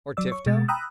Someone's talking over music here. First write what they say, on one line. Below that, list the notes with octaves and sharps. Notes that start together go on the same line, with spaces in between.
"Or Tifto?"
F#3 D5 E6
C#5 C#6
B2 G#3 A6
G5 A#5 B5 D#6 E6 F#6